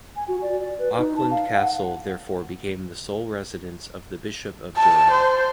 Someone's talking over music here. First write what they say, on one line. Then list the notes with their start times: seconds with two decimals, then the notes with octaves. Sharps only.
Auckland Castle therefore became the sole residence of the Bishop of Durham.
0.16 G#5
0.28 F#4
0.42 D5
0.60 D5
0.79 B4
0.98 D#4
1.16 A5
1.31 F5
1.56 F#5
4.77 A5
5.12 C5